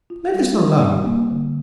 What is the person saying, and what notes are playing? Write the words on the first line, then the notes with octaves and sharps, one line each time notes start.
Let us alone.'
F4
G3
G3
C4
A#3
D3